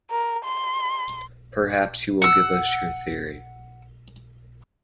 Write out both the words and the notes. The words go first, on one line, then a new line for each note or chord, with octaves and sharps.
Perhaps you will give us your theory.
A#4
C6
F#5 E6